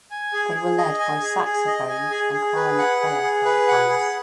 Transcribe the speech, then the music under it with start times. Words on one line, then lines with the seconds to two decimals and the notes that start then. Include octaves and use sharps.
They were led by saxophone and clarinet player Harry Hines.
0.11 G#5
0.33 G#4
0.55 G#4
0.78 D#5
0.99 G#5
1.22 G#4
1.44 G#4
1.67 D#5
1.89 G#5
2.11 G#4
2.33 G#4
2.56 B4
2.78 F#5
3.01 G#4
3.22 G#4
3.45 B4
3.68 F#5
3.89 G#4